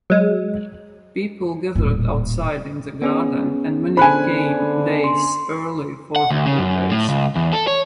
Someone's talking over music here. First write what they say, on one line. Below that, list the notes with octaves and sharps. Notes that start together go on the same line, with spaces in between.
People gathered outside in the garden and many came days early for the holidays.
F#3 G#3
D#1 A2
B3 C#4 G#4
D3 C5 G#5 B5 F#6
C6
F#5
D2
C#3
F#2
A2
C#2
E2
A4
C#5